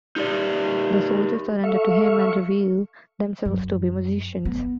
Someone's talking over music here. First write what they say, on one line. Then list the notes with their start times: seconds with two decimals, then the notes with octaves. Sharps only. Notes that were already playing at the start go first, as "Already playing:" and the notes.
The soldiers surrender to him and reveal themselves to be musicians.
0.16 D#4 G4 D5
1.64 A4 E5 F5 C#6
3.45 F#2
4.45 B3